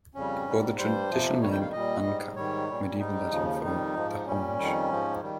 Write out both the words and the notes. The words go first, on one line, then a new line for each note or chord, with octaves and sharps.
It bore the traditional name "Ancha"; Medieval Latin for "the haunch".
F2 C#3 G3 C#4
G#2 G3
G2 G3 C5
F2 C3 F3
F2 D#3 G3 C#5
G5
F5
A#2 G3 D#5
G#2 G3
G#2 D#3 G3 C#5
A#2 G3
G#2 G3 D#4
D#2 C#3 F3
F2 D#3 G3 D#4
G#2 F3
A#2 G3 C#4
F2 D#3 G3
G#2 F3
D#3 G3